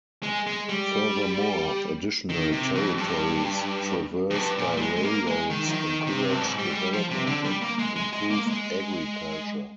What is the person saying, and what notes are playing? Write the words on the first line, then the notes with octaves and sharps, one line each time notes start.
Furthermore, additional territories traversed by rail-roads encouraged development and improved agriculture.
G#3
G#3
G3
D#3
C3
F2
G2
F2
G2
A#2
G3
G#3
G#3
A#3
G#3
D#3
F3
D#3
C3
G2
G#2
G3
G#3
G3
F3
C3
D3
G3
A#3
G#3
G#3
G#3
A#3
G#3